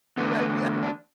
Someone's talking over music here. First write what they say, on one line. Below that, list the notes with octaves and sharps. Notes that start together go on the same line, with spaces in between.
you, like yeah.
E2 D3 A3 B3
D4
B3
D4